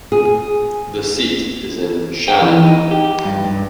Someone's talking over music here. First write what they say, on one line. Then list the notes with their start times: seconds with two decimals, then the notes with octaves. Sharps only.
The seat is in Shannon.
0.12 G#4
2.28 G5
2.41 E3
2.63 D#4
2.91 G4
3.25 G2
3.45 G2